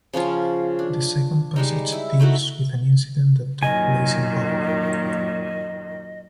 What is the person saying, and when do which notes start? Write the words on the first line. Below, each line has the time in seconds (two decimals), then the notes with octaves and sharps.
The second passage deals with an incident that took place in Bodmin.
0.13 C#3 F3 C#4 F4
0.79 D4
1.56 G3 G#3 D#4
1.92 E4
2.20 A3 D#4 E4 F#4
3.63 F#2 A#2 D#3 D#5 G#5